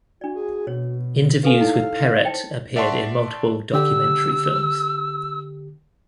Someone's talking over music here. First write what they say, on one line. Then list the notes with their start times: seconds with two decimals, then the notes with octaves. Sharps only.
Interviews with Perrett appeared in multiple documentary films.
0.21 D4 F#4 D5
0.35 G#4
0.67 B2 C#5
1.43 G4 A4 B4 F5 G#5
1.61 D#4 E4 A4 C#5
2.24 C5 C#5 G5 A5
2.76 D5 E5 F#5 A5 C6 C#6
3.73 D3 G4 E6